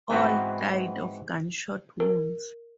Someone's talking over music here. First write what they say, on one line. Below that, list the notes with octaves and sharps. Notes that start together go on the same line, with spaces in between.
All died of gunshot wounds.
G#2 E3 B3 C4 F#4
A#4